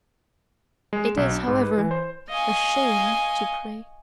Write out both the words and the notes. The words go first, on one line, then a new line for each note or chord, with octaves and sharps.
It is however a shame to pray!
G#3
E7
B1
D4
G#2
B4
E3
C5
D#5 F5 G#5 C#6